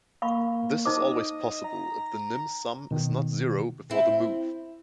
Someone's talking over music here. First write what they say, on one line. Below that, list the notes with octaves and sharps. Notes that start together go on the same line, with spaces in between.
This is always possible if the nim-sum is not zero before the move.
A#3 F5 B5 C#6
D#4 C5 D#5 D6
A#5
B2 D#3
C4 E4